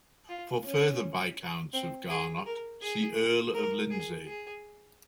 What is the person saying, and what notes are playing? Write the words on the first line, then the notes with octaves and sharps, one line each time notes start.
For further Viscounts of Garnock, see Earl of Lindsay.
F4
C#4
C4
G#4
A#4
G#4
A#4
G#4
G#4